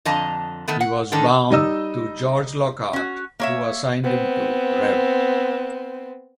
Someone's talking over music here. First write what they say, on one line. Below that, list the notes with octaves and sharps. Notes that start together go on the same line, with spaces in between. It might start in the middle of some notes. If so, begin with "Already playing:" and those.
He was bound to George Lockhart who assigned him to Rev.
F2 D3 D#5 A5 A#5
D#3 A3 B3
F#5
D3 D#3 C#4 D#4 A4
G3 D#4 D#5 E6
C#4 F#4
A#3 C#5 E5
B3 C4